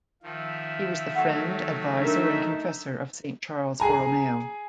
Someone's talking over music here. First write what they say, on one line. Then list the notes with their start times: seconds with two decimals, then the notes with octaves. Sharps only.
He was the friend, adviser, and confessor of Saint Charles Borromeo.
0.23 D#3 F3 E5
1.15 D#3 F#3 A3 F#5
2.00 D4 D#4 A#4 E5
3.80 G#4 G#5 A#5